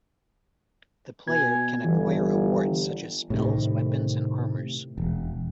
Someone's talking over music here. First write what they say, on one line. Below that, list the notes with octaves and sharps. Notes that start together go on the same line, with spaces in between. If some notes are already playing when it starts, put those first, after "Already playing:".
The player can acquire awards such as spells, weapons, and armors.
B2 G#5 G#6
G1 E3
A2 C3 D#3
E1